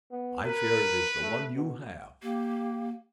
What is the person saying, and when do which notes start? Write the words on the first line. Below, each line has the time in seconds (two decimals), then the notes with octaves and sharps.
I fear it is the one you have.
0.11 B3
0.44 A#4 B4
1.21 A3
1.55 B2
2.22 A#3 G4